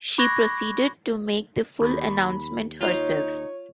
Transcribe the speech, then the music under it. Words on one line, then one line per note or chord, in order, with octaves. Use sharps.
She proceeded to make the full announcement herself.
B5 C#6 D6 F#6 G#6 A#6
D#2 B5
D#4 F4 C#5 F5